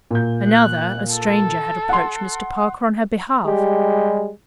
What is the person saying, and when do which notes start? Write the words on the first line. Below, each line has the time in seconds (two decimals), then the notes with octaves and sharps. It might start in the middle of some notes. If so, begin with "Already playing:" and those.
Another, a stranger had approached Mr. Parker on her behalf.
0.11 A#2 G6
0.48 F#6
1.15 A4
1.89 F#5 C6
3.46 G3 G#3 G4